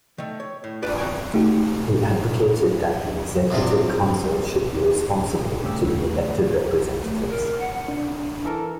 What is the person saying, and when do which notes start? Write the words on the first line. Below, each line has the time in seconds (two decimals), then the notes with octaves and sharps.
He advocated that the executive council should be responsible to the elected representatives.
0.18 D#3 A3
0.40 C#5
0.64 A2
0.82 D4 F4 G4 A4 B4 D5
0.98 C4 D#4 F#4 G5 G#5
1.34 A3 D#4 F#4 G4
3.51 C2 F#2 C3 F3 G#4
5.62 G2 C#3 A3 G4 G#4 E6
7.02 A3
7.29 A#4
7.60 F#5
7.88 D4
8.45 E3 A4 A#4